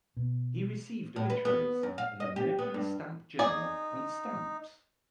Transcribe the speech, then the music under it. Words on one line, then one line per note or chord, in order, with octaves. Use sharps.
He received obituaries in the "Mercury Stamp Journal" and "Stamps".
B2
A2
B4
B3
F#2
F5
D#5
G4
B3
G2
D#4 G#4 D5